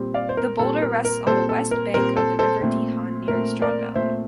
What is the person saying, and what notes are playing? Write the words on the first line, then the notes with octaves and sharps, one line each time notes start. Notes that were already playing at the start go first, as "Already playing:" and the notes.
The boulder rests on the west bank of the River Deehan near Stradbally.
Already playing: A#2 G3 C4
D5 F5
C5
A#4
A#2 G3 C4 A4
A#4
A#4
A#2 G3 C4 A4 C5
A4
A#4
A#2 G3 C4 A#4
A4 C5
A4 C5
A#2 A3 C4
A#2 A3 C4 A#4
A#4 D5
A#2 A3 C4 C5 E5